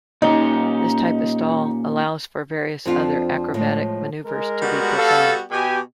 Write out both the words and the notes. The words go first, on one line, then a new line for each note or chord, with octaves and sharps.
This type of stall allows for various other acrobatic maneuvers to be performed.
A#2 C#4 D#4 G4
F2 F3 C4 D4 F4
A2 F3 G#3
G#3 A#4
G3 B3 F#4
A4 F5
B2 G4 G#5